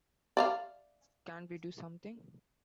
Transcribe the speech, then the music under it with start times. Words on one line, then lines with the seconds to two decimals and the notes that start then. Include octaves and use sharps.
Can't we do something?
0.37 D5 E5 F5